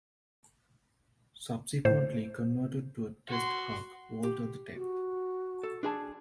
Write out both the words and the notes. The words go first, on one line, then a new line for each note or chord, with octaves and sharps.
Subsequently, converted to a test hulk, Walter the Tenth.
A2 C5
F#4 C6
G4
F#4
A4
D4 G#4 A5